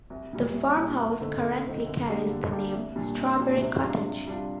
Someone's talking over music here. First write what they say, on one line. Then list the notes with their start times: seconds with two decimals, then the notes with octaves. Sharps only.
The farmhouse currently carries the name "Strawberry Cottage".
0.10 C2
0.33 A#2 G3
0.54 C2
0.76 A#2 G3
0.99 D2
1.21 D3 A3 C4 D#4
1.42 D2
1.64 D3 A3 C4 D#4
1.86 D3
2.08 G3 A#3 D4 G4
2.30 D3
2.52 G3 A#3 D4 G4
2.74 C2
2.96 A#2 G3 D4
3.18 C2
3.40 A#2 G3 D4
3.62 C3
3.84 G3 D4 F4
4.06 C3
4.27 G3 D4 F4